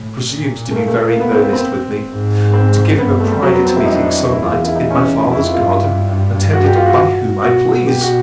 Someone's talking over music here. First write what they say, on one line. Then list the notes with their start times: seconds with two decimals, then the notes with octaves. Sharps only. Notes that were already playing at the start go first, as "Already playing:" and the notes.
He presumes to be very earnest with me, 'to give him a private meeting some night, in my father's garden, attended by whom I please.'
Already playing: A2
0.31 A#2
0.71 A3
0.76 A#3
0.87 A3
0.98 A#3
1.09 A#3
1.20 B3
1.31 C4
1.42 B3
1.53 C4
2.09 G#2
2.53 C4
2.97 G2 B3
3.20 A3
3.31 G3
3.42 F2 F#3
3.54 B3
3.65 C4
3.76 E4
3.86 D#4
3.95 D4
4.05 D#4
4.31 E2 E4
4.42 F4
4.53 F4
4.65 E4
4.75 D#4
4.91 C#4
5.20 F2 D#4
5.31 E4
5.43 F4
5.53 F4
5.65 G2
6.53 F#4
6.64 G4
6.76 F4
6.86 F#4
7.42 B2 F#4
7.87 G4
8.01 F#4